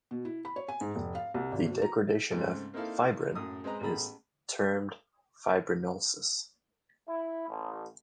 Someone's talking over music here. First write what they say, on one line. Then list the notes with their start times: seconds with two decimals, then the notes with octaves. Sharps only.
The degradation of fibrin is termed fibrinolysis.
0.11 B2
0.25 E4
0.45 B5
0.56 C#5
0.68 G#5
0.81 G#2
0.95 F1
1.15 F5
1.34 C2
1.51 G#1
1.66 D2
1.82 A#5
2.31 G#2 C#3 A3 C4
2.74 A#3 C4 D#4 E4 A4 F5
3.35 F#2 A2 D#6
3.64 G#3 C4 B4 D#5 A#5
3.80 A1 A3 B3 G#4 A#5 B5
7.08 E4
7.49 A1